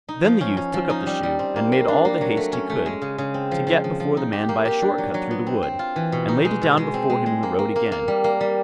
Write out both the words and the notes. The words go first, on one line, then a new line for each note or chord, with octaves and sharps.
Then the youth took up the shoe, and made all the haste he could to get before the man by a short cut through the wood, and laid it down before him in the road again.
D#4
F3
C#4
C#4
F3
D#4
G3
G3
C4
A#3
A#3
D4
A#3
F#3
A3
C#4
A3
G#3
C#3
C#3
C4
F3
F3
F3
F3
D#4
G4
A#3
G4
D4
F#3
F#3
B3
C4
C4
F4
E3
B2
D#4
G#3
B2
G#3
C4
G#3
G#3
A#3
A#3
A#3
A#3
G3
A#3
G3